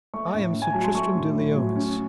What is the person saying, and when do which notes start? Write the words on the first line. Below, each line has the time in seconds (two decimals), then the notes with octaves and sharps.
I am Sir Tristram de Liones.
0.14 A3 C#6
0.34 A2
0.54 A2
0.62 G#5
0.72 F#3 A5
0.84 C6
0.95 A3 C#6
1.15 A2
1.35 A2
1.56 F#3
1.76 C#4